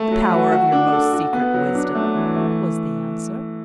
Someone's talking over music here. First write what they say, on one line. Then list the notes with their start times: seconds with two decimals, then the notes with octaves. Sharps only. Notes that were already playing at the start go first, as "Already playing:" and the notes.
"The power of your most secret wisdom," was the answer.
Already playing: A3 A4
0.11 F#3
0.31 F#4
0.52 F#4
0.72 D4
0.92 A4
1.13 F#4
1.33 B3
1.54 F#3
1.75 D4
1.95 A3
2.15 E3
2.36 A3